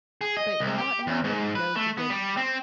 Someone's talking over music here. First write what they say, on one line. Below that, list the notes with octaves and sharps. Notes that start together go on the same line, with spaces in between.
But ho how would you go to get
G#4
D#5
C2
G4
E2
G#2
B4
A3
B3
G3
C4